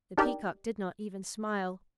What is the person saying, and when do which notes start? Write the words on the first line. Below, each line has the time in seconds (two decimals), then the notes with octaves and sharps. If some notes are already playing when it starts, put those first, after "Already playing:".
The Peacock did not even smile.
0.18 D4 D#4 G4 A#4 D5